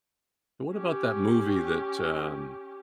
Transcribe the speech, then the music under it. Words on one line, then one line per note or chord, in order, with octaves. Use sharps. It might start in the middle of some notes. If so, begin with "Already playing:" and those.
And what about that movie that, um,
C#4 G4